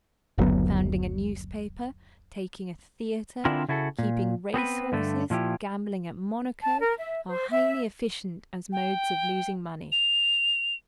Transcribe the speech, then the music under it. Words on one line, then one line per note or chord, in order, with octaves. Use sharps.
Founding a newspaper, taking a theater, keeping race-horses, gambling at Monaco, are highly efficient as modes of losing money.
F#1 D2 F#3 B3
D3 C4 D4 E4 F4 A#4
C#3 E4 F#4 A4
A#2
B3 C4 A4 B4
G2 D3 A3
A#2 F3 E4 G4
A5
A#4
E5
C5
E5
G5
F7